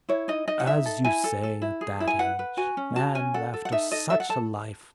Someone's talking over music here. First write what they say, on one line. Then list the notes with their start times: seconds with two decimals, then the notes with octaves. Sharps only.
"As you say at that age, and after such a life."
0.09 E4 C#5
0.28 D#4 D#5
0.48 D#4 D#5
0.60 F#5
0.66 D#4 E5
0.86 A4
1.04 E4 G#5
1.24 A4
1.43 A4
1.62 E4
1.81 G#4
2.00 E4
2.07 G#5
2.19 B4 F#5
2.39 B4
2.57 F#4 G#5
2.77 C#4
2.96 F#4 A5
3.15 C#4 G#5
3.34 A4 F#5
3.54 A4
3.65 F#5
3.72 D#4 E5
3.91 A4 D#5
4.10 A4 E5
4.20 F#5
4.29 A4 A5